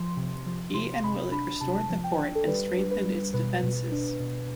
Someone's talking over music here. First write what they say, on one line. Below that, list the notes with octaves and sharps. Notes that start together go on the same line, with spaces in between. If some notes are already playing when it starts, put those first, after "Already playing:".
He and Willett restored the fort and strengthened its defenses.
Already playing: F3 C6
C3
F3
C3 C6
C3 B5
D4 B5
C3 A5
F3
G5
D4
A4
G3 B4
D4
B4
G3
B2 B4
B2
D4
B2